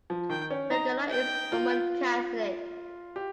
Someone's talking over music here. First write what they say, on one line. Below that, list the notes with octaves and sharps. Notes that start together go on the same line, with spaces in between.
Begala is Roman Catholic.
F3
D#3 G5
C#4
D#4 A#5
G5
F4
G4